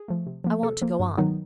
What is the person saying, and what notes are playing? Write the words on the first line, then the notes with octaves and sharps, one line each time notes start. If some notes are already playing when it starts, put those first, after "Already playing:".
"I want to go on."
Already playing: G#4
F3 A3
C3
F3 A#3
C3 A4
F3 A#3
G2
D#3 F#3 B3 D#4